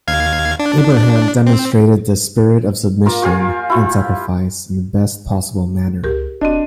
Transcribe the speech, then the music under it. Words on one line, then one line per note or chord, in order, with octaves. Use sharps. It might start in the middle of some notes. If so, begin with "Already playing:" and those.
Abraham demonstrated this spirit of submission and sacrifice in the best possible manner.
D#2 F5 G#6
D4
C4
A#3 F4 A#4
F4 G4 F5 G#5
E4 F4
C#2 G4 G#4 A#4
E1 C4 D4 F#4 D#5 D#7